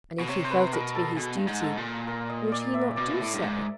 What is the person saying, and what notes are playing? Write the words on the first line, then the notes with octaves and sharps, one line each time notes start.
And if he felt it to be his duty would he not do so?
B2
C3 C#5
C5
B4
B2 A#4
A4
B2 G#4
G2
G#2
A4
A#2
A#4
D#5
D5
E5
B2 D5
A#2
A2
G2
G#2